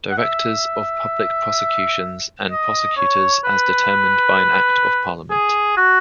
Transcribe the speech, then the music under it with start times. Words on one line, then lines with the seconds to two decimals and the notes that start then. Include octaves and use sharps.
Directors of Public Prosecutions and prosecutors as determined by an Act of Parliament.
0.11 F#5
0.18 E5
2.51 D#5
2.97 C#5
3.44 B4
5.30 G#4
5.77 F#4